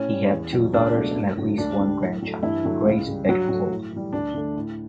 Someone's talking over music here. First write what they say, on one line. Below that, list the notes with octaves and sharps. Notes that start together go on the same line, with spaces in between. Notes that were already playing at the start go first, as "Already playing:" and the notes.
He had two daughters and at least one grandchild, Grace Bechtold.
Already playing: A2 C#4
G3
E2
B2 F#3
C#2 D4
B2 F#3 A3
G2
D3 F#3 A3
D2 D4
D3 G3
A2
F#3 A3
G2 E3 E4
D3 F#3 A3
C#2
C#3 G3
G2 F#3 F#4
F#3 A3
A2
E3
G3
D2 D4
D3 A3
A2